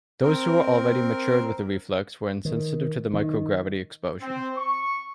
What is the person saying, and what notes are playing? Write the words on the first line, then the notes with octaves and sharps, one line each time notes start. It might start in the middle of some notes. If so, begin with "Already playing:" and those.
Those who were already matured with the reflex were insensitive to the microgravity exposure.
C4 A#4
D#3
D#3
C4
C#6